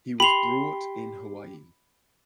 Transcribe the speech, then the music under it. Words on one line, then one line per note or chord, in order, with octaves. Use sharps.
He was brought in Hawaii.
G4 B5 C6 F7